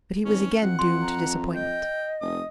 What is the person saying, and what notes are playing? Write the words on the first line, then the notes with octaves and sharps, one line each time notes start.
But he was again doomed to disappointment.
G#1 C#4
F2 F#5
F2 C6
A#5
D#5 G5
F1 D#6